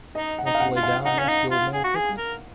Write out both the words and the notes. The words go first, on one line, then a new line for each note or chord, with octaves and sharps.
"Want to lay down?" asked the old man quickly.
D#4 D#5
F#5
D#4
F5
F#5
F4
F5
D#4 F#5
C#4
D#4
F4
G#4
F#4
G#4
A#4